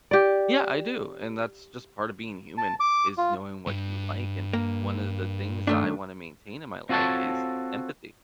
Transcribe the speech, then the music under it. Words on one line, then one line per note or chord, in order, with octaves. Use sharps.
Yeah, I do, and that's just part of being human is knowing what you like and one of the things that I wanna maintain in my life is empathy.
G4 D5
A5
D6
F4
G2
A#3
D#3 A3 D4
C4 F4 F#4 A4 C#5 A5